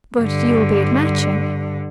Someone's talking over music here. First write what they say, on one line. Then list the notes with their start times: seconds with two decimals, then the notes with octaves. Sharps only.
"But you'll be at Matching?"
0.19 G2 D3